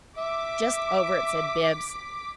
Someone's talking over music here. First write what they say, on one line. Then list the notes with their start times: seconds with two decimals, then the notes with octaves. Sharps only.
"Just over it," said Bibbs.
0.18 E5 D6 B6